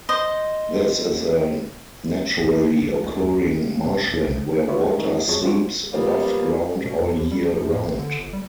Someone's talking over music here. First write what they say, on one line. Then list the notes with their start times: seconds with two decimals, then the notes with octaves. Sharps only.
This is a naturally-occurring marshland where water seeps above-ground all year round.
0.09 C5 D#5
2.38 E4
2.53 A#3
2.82 F3
3.04 C4
3.19 D#2
3.47 E4
3.84 B2
4.07 E2
4.23 C2
4.68 F4 B4 C#5 D5 E5
4.81 G#3 A3
4.98 D#3 C#4 D#4
5.12 D#5
5.28 F2 F#3 G#3 G#4 C#5 A5
5.44 F3 G#3 C4 D4 F4 F#4
5.93 A#2 F3 G3 A#3 B3
6.85 B2
6.97 F2
7.15 D#2
7.31 G3
7.47 F3
7.60 F#2
7.72 A2
7.85 A1
7.99 D3
8.19 G1
8.33 G3